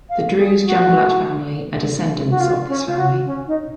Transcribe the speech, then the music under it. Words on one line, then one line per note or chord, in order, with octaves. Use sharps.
The Druze Jumblatt family are descendants of this family.
F5
G#4
F#4
F#4
F4
C#4
F4
F#4
C#4
D#4